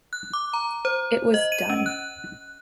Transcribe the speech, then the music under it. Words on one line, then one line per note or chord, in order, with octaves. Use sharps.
It was done.
F#6
D6
A#5
C5
D#5
D#7
C#4
F#6